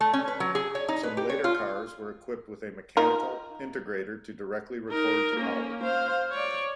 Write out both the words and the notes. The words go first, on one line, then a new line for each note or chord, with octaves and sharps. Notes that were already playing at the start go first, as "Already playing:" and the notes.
Some later cars were equipped with a mechanical integrator to directly record the power.
A3
C#4
B4
F#3
G#4
C#5
D#4
B4
G4
C#5
F4
D#4 F4 A#4
D#4 A#4
A#3 C#4
C5 F5
C#5 D5